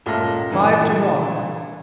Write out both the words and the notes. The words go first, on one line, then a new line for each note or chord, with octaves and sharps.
Five to one!
C#2 A#2 A4 E5 F6 A#6
A#2 D3 E3